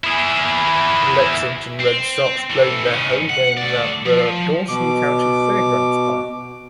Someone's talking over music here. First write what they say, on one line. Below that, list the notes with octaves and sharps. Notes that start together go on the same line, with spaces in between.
The Lexington Red Sox played their home games at the Dawson County Fairgrounds Park.
E4 G#4
C4
E3 A3
D#3 C#4
F#5
A3 D5
F3
B2 D6